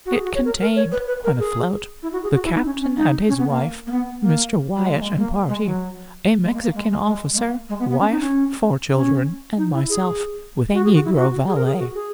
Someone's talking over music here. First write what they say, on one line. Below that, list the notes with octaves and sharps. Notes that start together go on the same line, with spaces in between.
It contained, when afloat, the captain and his wife, Mr. Wyatt and party, a Mexican officer, wife, four children, and myself, with a negro valet.
F#4
G#4
F#4
C#5
A#4
A#4
C#5
B4
B4
A#4
G#4
E4
F#4
G#4
F#4
E4
D#4
C#4
C#4
D#4
C#4
B3
A#3
A#3
B3
A#3
F#3
G#3
A#3
G#3
A#3
G#3
F#3
G#3
A#3
A#3
G#3
G#3
G#3
G#3
A#3
G#3
B3
B3
C#4
D#4
C#4
C#4
D#4
E4
G#4
F#4
G#4
F#4
E4
F#4
G#4
A#4
G#4
F#4
G#4